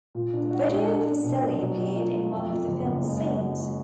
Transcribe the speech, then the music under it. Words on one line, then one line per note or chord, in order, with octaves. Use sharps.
The video for "Silly" appeared in one of the film's scenes.
A#2
D4
F#4
G#3
D4
A#3
B2
B2
F#3
F#3
F4
F4
F2
F2
F#1
F#1
G#3
F#4
F#4
F#4